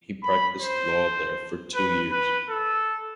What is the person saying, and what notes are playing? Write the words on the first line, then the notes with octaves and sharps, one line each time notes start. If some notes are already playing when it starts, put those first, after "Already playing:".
He practiced law there for two years.
B5
C5
B4
B4
A4